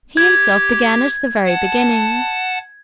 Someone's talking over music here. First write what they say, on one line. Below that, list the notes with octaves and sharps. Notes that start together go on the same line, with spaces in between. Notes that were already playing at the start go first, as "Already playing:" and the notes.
He himself began at the very beginning.
G4 G#6
F#5 A5